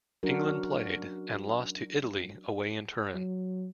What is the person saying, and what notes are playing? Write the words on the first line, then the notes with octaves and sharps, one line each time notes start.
England played, and lost to, Italy away in Turin.
F#3 C#4 D4 F#4 A#4
F#3